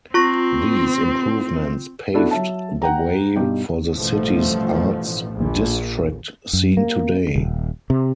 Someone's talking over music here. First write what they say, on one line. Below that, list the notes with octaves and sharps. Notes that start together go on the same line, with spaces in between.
These improvements paved the way for the city's arts district seen today.
C4 F4 C#6 A#6
B3 D4 E4 F#4 A4
F#3 E5 A5
F#5 G5 A#5
G2 B2 D#4 G4
A1 G2 B2 F3 A3
A#1
F#2
A#3
D#1
C3